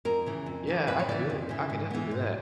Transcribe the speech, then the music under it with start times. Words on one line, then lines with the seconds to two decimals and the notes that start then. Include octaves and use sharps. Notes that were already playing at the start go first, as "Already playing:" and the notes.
"Yeah, I could do it, I can definitely do that."
0.05 F2 A#4
0.26 C#3 E3
0.46 F2
0.67 C#3 E3
0.87 F2 B4
0.99 C#5
1.08 C#3 E3 D5
1.30 F2
1.49 C#3 E3
1.70 G#2
1.90 E3 G#3 B3
2.11 G#2